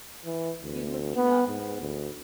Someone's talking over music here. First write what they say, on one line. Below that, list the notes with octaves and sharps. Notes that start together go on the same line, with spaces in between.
you're looking up
E3
D2
B3
G#2
D2